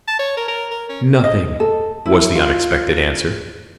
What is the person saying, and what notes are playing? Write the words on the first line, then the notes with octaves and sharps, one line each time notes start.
"Nothing," was the unexpected answer.
A5
C#5
A#4
A#4
A#4
C#4
D#5
A4
E4
F4